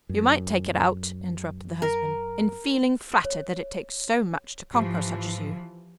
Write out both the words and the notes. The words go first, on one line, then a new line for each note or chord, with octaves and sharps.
"You might take it out," interrupted the husband, "in feeling flattered that it takes so much to conquer such as you."
F#2
A#4
C#5
G#2 E3 F3 G4